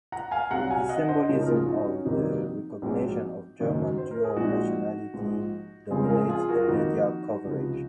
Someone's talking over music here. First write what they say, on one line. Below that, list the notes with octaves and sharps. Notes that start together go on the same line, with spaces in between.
The "symbolism of the recognition of German dual nationality" dominated the media coverage.
F#5 A#5
F5 G#5
C2 C3 F#3 F#5 A#5
F5 G#5
D#5 F#5
C5 D#5
C#2 C#3 F3 A#3 D#4 F#4
A#4
F4 G#4
D#4 F#4
C#4
F2 C3 D#3 F#3 A#3 D#4
A#1 G#2 F#3 C4
F#1 F#2 D#3 F#3
C5
A#4
G#4
A#1 A#2 G#3 C4 D#4 F#4
A#1 G#2 F3 G#3
F2 C#3 G#3 C4 F4 G#4
A#4
F4 G#4
F4 G#4
F#4 A#4
F4
F2 D#3 A#3 D#4 F#4
C#2 C3 F3